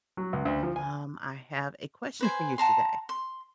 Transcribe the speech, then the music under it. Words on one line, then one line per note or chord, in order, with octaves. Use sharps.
Um, I have a question for you today.
F#3
C#2
D2
F3
G#5
B4 C5 G#5
F#5 A5 A#5 C6
C6